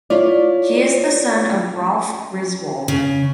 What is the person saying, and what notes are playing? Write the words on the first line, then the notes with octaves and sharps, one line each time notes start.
He is the son of Ralph Griswold.
E4 F4 C#5 D5
C#3